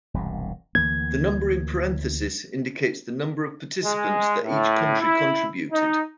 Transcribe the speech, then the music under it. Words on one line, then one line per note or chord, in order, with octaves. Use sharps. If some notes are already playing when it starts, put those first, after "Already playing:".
The number in parentheses indicates the number of participants that each country contributed.
E1 C2 G2
D2 E3 A#3 G#6
G#3
A2
E4
D#4